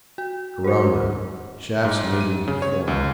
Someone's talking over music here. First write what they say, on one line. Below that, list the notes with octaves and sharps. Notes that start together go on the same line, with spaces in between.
Corona: shafts meeting to form.
F#4
F#3 A#4 C5
G#2
D#7
C#3
C#5
C#2